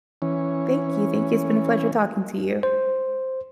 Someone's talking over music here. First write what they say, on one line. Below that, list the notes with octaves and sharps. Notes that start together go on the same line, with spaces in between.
Thank you, thank you. It's been a pleasure talking to you.
E3 C#4
C5